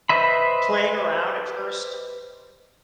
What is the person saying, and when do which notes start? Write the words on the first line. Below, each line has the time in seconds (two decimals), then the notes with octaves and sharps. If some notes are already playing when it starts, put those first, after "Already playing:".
playing around at first.
0.09 B4 C5 D#5 E5 B5